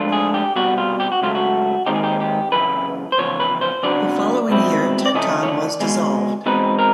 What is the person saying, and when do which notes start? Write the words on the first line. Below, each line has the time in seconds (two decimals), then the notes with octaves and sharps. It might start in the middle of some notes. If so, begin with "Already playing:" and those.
The following year Tecton was dissolved.
Already playing: G#2 F3 A3 D4 F4
0.12 G#4
0.34 G4
0.56 C2 B2 G3 F#4
0.78 F4
1.00 G4
1.12 F#4
1.22 C#2 C#3 F#3 A3 F4
1.35 F#4
1.86 D#2 D#3 G#3 C4 D#4 G4
1.95 G#4
2.04 G4
2.20 G4
2.52 F#2 C#3 E3 B4
3.12 C5
3.18 E2 C#3 F3 C#5
3.40 B4
3.61 C5
3.83 F2 C#3 F#3 B3 D4 D5
4.49 C2 B2 G#3 C4 E4
5.06 D5
5.14 C#3 F3 A3 C#4 E4 D#5
5.43 C#5
5.48 D5
5.80 C#2 B2 G#3
6.46 E2 B2 G#3 C4 D#4 B4
6.79 A#4